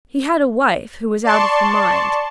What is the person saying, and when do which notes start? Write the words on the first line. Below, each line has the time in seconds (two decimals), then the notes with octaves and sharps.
He had a wife who was out of her mind.
1.24 D5 A5 C6 C#6